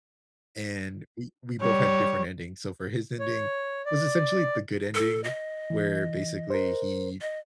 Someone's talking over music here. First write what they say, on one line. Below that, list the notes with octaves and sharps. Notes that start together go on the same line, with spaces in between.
and, we we both had different endings. So for his ending, it was essentially the good ending where, basically, he
G3 C#5
C#5
D5
A4
D#5
E3
A#4 C5
D#5